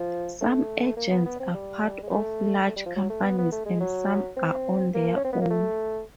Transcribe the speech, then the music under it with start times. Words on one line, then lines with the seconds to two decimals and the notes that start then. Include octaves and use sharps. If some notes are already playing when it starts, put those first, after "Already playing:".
Some agents are part of large companies, and some are on their own.
Already playing: F3
0.41 A3
0.97 A#3
1.11 B3
1.26 B3
1.40 C4
1.54 G3
2.03 G#3
2.10 A3
2.67 A3
2.76 G3
2.86 F3
2.96 F#3
3.10 A3
3.23 B3
3.38 B3
3.52 A3
3.66 G#3
3.80 F#3
4.37 C4
4.94 A#3
5.16 C#4
5.25 C4
5.33 B3
5.41 A#3
5.51 A3